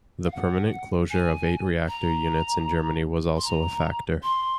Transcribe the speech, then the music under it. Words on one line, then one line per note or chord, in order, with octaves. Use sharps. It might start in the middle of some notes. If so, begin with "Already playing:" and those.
The permanent closure of eight reactor units in Germany was also a factor.
F5
F#5
G#5
A#5
C6
A#5
C6